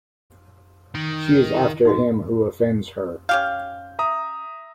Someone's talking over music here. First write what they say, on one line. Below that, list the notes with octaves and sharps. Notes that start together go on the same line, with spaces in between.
She is after him who offends her.
D#3
E4
D#4 F#4 D#5
C#4 G4 F5 G6
E5 A#5 D#6